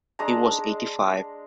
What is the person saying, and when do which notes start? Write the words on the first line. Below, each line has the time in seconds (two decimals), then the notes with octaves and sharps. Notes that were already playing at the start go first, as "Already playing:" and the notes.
He was eighty-five.
0.19 G#3 D4 A#5